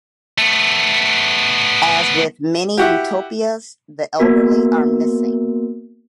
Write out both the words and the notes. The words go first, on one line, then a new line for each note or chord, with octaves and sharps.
As with many utopias, the elderly are missing.
A3 B3
E4 F#4 G4
A#3 B3 F#4 A#4